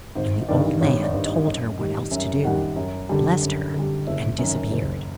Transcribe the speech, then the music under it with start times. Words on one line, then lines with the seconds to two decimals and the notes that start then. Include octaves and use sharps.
And the old man told her what else to do, blessed her, and disappeared.
0.15 G#1 C5
0.48 G2 D#3 D5
0.81 G#1 C#5
1.03 D5
1.14 G2 D#3
1.25 D#5
1.46 F#2 D#5
1.78 D#3 G3
2.11 F#2 E5
2.44 D#3 G3 F#5
2.76 F#2
3.09 D3 G3
3.41 F#2
3.74 D3 G3
4.07 F#1 E5
4.38 F#2 D#3
4.71 F#1